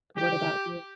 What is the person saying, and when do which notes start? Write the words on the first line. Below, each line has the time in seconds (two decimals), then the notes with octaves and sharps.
what about you?
0.17 G4